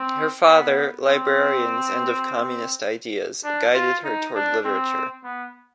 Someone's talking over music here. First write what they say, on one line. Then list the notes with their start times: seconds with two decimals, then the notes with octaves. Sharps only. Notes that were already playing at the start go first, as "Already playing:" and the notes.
Her father, librarians and of communist ideas, guided her toward literature.
Already playing: C4
0.46 B3
1.05 C4
3.44 D4
3.74 F4
4.04 D#4
4.35 D4
4.65 C4
5.24 B3